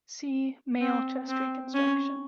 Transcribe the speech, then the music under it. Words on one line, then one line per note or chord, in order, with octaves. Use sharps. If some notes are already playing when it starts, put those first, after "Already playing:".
See Male Chest Reconstruction.
C4
C4
C#4